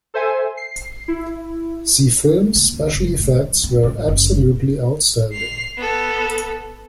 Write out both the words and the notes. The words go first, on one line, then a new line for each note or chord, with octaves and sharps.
The film's special effects were absolutely outstanding.
A4 C5 E5 G#5
C7
E4
A#3
C#2
F1
A2
D#3
C4
A1
F#1
C7 F7
B3 A4